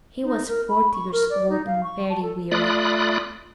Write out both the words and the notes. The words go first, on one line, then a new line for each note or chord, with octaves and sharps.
He was forty years old and very weary.
D#4
A#4
B5
C#6
A#4
D5
D#4
F5
C#6
A5
A4
A3 F4 D5 B5 D#6 F#6